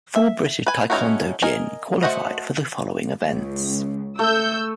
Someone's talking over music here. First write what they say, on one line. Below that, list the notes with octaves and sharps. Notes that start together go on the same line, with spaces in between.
Four British taekwondo jin qualified for the following events.
E5
B4 G#5
A3 C#4 D#4 E4 F#4
A#4 D#5 G#5
A3 F#4 C5 D#5
C#2 C#3
A3 E6 G6